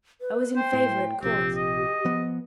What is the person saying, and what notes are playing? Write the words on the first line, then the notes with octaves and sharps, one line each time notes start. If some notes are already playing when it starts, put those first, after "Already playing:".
I was in favour at Court.
B4
C5 G5
A2
A#1 C3 F3 C4 G4
D#5
F3 B3